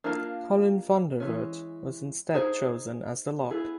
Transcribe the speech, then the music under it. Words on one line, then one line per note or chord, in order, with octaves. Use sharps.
Colin van der Voort was instead chosen as the lock.
A#3 D4 F4 A#4
E3 G#3 C#4
D#4 G#4 C5
B3 E4 G#4